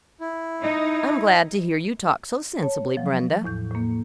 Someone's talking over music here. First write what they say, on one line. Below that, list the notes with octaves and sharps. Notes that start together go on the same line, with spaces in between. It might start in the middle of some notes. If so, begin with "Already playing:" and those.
I'm glad to hear you talk so sensibly, Brenda.
E4
D#4
C#5 A5
F3 F#3
E2 A2 G6
A2 A#3